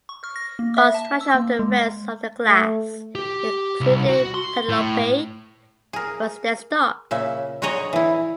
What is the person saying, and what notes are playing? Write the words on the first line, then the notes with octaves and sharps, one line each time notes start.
Construction of the rest of the class including "Penelope" was then stopped.
C#6
F6
A#6
A#3
E5
A5
E6
A#3
G#3
A3
G4
C2
F#4
C6
A2
G#4 A#4
A#2 C#3 E5
D3 F#4 G#4 C#5 D#5 A#5
E3 E4